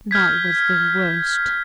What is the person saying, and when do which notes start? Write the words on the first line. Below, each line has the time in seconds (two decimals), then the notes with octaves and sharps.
That was the worst!
0.11 F6 G6 G#6 B6